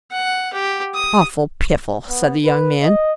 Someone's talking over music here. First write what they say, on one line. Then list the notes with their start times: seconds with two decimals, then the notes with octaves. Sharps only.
"Awful piffle," said the young man.
0.11 F#5
0.53 G4
0.95 D#6
2.09 B3
2.45 B4
2.82 D#5